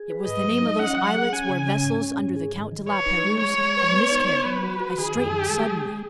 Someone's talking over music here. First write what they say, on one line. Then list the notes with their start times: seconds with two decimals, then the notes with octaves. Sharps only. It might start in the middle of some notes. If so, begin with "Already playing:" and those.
It was the name of those islets where vessels under the Count de La Pérouse had miscarried. I straightened suddenly.
Already playing: G#4
0.10 B4
0.27 G#2 D#5
0.45 F#3
0.62 D#4
0.79 C#4 F#5
0.97 F#3
1.15 G#4
1.32 C#4 G#5
1.49 C#3
1.66 C#4
1.84 G#2
2.01 C#4
2.19 G#2
2.36 G#4
2.54 D#3
2.71 D#3
2.89 B4 C#5
3.06 D#4
3.24 G#3
3.41 G#3 C#5
3.58 G#3
3.77 B4
3.93 B3
4.11 D#4
4.29 B3
4.45 F#3 B4
4.63 F#4
4.80 F#4
4.98 D#3 G#4
5.15 F#2
5.33 D#3
5.50 G#3
5.68 G#3
5.85 G#3